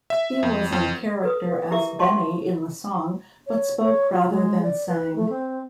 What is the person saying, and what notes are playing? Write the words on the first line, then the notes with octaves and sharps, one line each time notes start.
He was in character as Benny in the song, but spoke rather than sang.
E5
F2
F2
A4 B4 D#6
E4 G4 A#4 E5 D6
D#5 A5 C6 C#6
C#5
C#5
F4
G#3
D5
B4
A3
C4